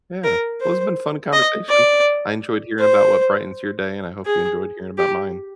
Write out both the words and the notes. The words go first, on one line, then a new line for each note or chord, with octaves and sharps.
Yeah. Well, it's been fun conversation. I enjoyed hearing about what brightens your day, and I hope you enjoyed hearing about mine.
A#4
C5
D#5
D5
C5
G#4
G4